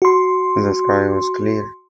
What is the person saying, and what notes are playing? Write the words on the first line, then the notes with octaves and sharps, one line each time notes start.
The sky was clear.
F#4 C6